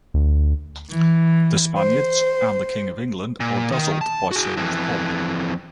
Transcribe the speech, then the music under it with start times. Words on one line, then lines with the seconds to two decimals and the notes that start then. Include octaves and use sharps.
The Spaniards and the king of England are dazzled by so much pomp.
0.14 D2
0.89 E3
1.77 C5
3.40 A#2
3.72 D#3
4.01 A5
4.31 F#4 G#4
4.57 F2 E3